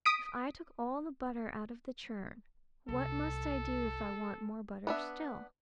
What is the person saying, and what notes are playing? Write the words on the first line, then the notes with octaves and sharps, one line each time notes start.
If I took all the butter out of the churn, what must I do if I want more butter still?
D#6 B6 D7
F#1 C2 A4
B3 D4 E5